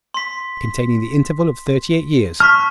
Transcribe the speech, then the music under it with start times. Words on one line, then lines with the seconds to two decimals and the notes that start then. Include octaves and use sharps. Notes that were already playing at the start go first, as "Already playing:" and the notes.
Containing The Interval Of Thirty-Eight Years.
0.14 C6 B6
2.40 A5 C#6 F6 B6